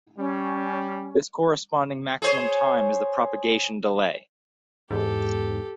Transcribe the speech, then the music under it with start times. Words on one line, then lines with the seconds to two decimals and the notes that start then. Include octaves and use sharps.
This corresponding maximum time is the propagation delay.
0.17 G3 C#4
2.22 G#4 C5 C#5
4.90 E2 G#2 G4 A4